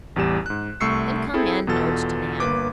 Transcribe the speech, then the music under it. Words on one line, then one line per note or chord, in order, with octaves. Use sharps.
"Then come in," urged Nan.
A1 E2 G3 G4 E7
G#2 F#6
C2 A3 C#6 E6 C7 C#7
C4 E4 G#4 A4 G5
E2 B2 F4 A4 A6
G1 A#3 B4 D6